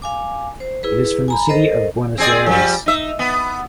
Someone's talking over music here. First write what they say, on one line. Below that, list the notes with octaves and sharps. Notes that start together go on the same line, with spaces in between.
It is from the city of Buenos Aires.
F5 G#5 D6
C5
E4 G#4 B4
G#5 A#5 B5
A4 A#4 C5 D#5
C4 G#4 D5
F3 G3
D#4 E5
B3